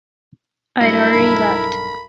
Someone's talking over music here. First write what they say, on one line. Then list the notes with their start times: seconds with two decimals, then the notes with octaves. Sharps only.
I’d already left.
0.81 G2 F#3 G#3 E4 A4 A#4 D#5
1.13 B1 G2 D#4 B5